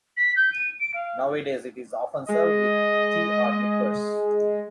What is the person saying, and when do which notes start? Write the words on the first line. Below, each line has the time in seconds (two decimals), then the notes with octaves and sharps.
Nowadays, it is often served with tea or liqueurs.
0.16 B6
0.36 G6
0.52 D#7
0.79 D7
0.93 F5
2.28 G#3 D#5